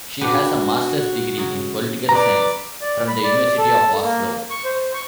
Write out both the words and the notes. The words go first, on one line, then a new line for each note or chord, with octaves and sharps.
She has a master's degree in political science from the University of Oslo.
D4 F#4 G4 B4
C#3 F#3
B4 D5 A#5
D5
B5
D5
A4
A#3
C#6
C5
C#6